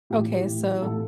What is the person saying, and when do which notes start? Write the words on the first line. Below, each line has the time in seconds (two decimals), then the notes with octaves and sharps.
okay, so
0.10 A2 E3 G4
0.46 A2 E3
0.82 A2 E3 A4